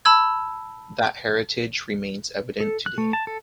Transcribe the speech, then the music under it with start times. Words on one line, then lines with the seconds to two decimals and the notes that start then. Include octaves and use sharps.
That heritage remains evident today.
0.05 A5 B5 E6 G#6
2.60 A4
2.86 F#6
2.98 A3
3.13 A5
3.27 A4